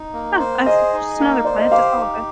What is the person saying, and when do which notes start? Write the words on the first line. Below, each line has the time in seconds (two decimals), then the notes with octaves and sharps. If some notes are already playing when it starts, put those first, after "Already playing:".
yeah, that's just another plant, it's all good.
Already playing: D#4
0.13 A#3
0.39 C5
0.66 G#4 D#5
0.93 D#4
1.20 A#3
1.44 C5 D5
1.58 D#5
1.71 G4 F5
1.97 D#4